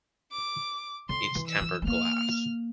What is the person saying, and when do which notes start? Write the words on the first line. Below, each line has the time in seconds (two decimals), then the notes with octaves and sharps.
It's tempered glass.
0.32 D6
1.09 D3 C6
1.35 E3
1.48 E6
1.61 E3
1.82 A3
1.87 A#3 F6